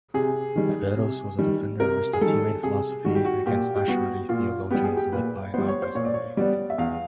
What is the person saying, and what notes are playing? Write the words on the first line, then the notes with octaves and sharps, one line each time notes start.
Averroes was a defender of Aristotelian philosophy against Ash'ari theologians led by Al-Ghazali.
C3 G#4
D#3 G3
C3
D#3 G3
C3 A#4
G#4
D#3 G3 A4
C3 G#4
D#3 G3 F#4
G4
F#4
A#2 G4
G4
G3 B3 F#4
A#2 F4
G3 B3 G4
G#4
G4
A#2 B4
G3 B3 C5
C#5
C5
A#2 C#5
D5
C#5
G3 B3 D5
E5
E2 F5